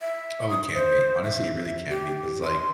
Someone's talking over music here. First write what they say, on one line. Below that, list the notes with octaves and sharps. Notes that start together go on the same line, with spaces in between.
Oh, it can be. Honestly, it really can be 'cause, like,
E5
D#6
C5
E5
G4
C6